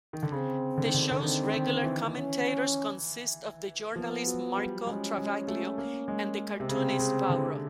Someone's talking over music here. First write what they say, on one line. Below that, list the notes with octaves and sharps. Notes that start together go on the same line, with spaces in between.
The show's regular commentators consist of the journalist Marco Travaglio and the cartoonist Vauro.
D#3
D3
C#3 C4
D3
D#3
D3
D#3
D3
D#3 C4
D#3
E3
C#4
F3 B3
F#3
G3
G#3 C#4
G#3
A3
A#3
G#3
C3
C#3 C4
C#3
D3